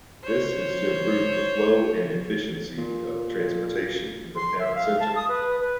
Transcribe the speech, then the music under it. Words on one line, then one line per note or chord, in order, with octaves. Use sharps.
This is to improve the flow and efficiency of transportation in the town centre.
C5 C#5
A#2
C6
E5
F5
A5
D#6
B4
B4